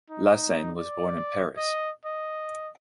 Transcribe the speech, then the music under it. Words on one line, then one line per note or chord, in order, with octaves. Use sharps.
Lassaigne was born in Paris.
D#4
D5
D#5
D#5